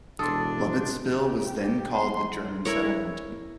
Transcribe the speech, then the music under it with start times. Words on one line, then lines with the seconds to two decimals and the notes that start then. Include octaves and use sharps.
Lovettsville was then called The German Settlement.
0.19 E1 D4 A4 C6 D#6
1.22 G4
1.62 G4
1.93 C6
2.65 E4 A#4 C#5